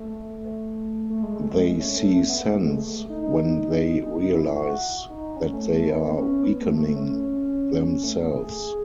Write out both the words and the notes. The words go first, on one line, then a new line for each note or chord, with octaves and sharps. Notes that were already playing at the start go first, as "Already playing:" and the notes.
They see sense when they realise that they are weakening themselves.
Already playing: A3
A3
G#3
A3
G#3
A3
C#4
A3
A3
B3
A3
G#3
A3
A3
D#4
D#4
E4
E4
F#4
D#4
C#4
A3
A3
B3
C#4
B3
A3
A3
C#4
C#4
A3
G#4